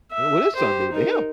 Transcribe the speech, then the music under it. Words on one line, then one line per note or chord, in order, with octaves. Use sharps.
You know, what his son did to him
E5
G4 C5
D#4 A#4